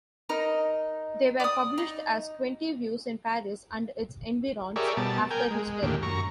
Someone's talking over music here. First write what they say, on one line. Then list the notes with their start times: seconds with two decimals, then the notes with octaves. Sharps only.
They were published as "Twenty Views in Paris and its Environs" after his death.
0.29 D#4 A#4 D#5
1.40 D5 D#6
1.78 D#4
4.76 G4 G#4 A#4 C#5 D5 E5
4.97 B2 G3 A5
5.31 A#4 G5 G#5
5.51 G#3
5.83 D#2 A2 D3 A#3 G4
6.03 F#2 A#5 C#6